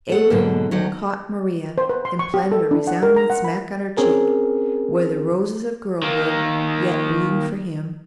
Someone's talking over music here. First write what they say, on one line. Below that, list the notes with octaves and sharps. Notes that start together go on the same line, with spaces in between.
Abram caught Maria, and planted a resounding smack on her cheek, where the roses of girlhood yet bloomed for him.
A4 F#5
G#2 B2 D3 F#3
D2 D#3 F#3 C#4 D#4 F#5
C5
B4
C6
C#6
G4
A4
D4
F#5
A#4
A#5
F#5
B5
C4 C#4 G#4 A#4
D#3 A#3